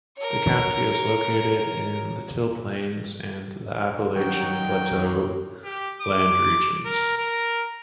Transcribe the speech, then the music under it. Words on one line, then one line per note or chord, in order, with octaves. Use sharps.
The county is located in the Till Plains and the Appalachian Plateau land regions.
A#4 C#5
D#3 F#3 C#4 F#4 G5
G4
D6
A#4
A#4